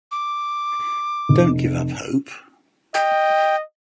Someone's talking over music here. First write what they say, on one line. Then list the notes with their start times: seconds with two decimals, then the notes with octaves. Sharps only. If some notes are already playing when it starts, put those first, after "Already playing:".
Don’t give up hope.
0.11 D6
1.29 F1
2.94 D#5 G5